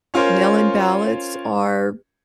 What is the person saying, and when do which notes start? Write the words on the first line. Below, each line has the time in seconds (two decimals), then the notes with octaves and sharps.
mail-in ballots are
0.14 C#4 F4 A#4 C5 C#5